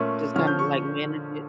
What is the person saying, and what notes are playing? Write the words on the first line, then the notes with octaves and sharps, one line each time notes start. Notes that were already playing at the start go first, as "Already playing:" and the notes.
just kinda, like, manage it.
Already playing: A#2 A3 C#4
D3 F3 C#4 F6
G6
C#6